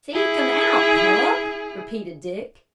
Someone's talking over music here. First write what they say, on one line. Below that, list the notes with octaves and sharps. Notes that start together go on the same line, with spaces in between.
"Seek him out, pup!" repeated Dick.
E4 G#4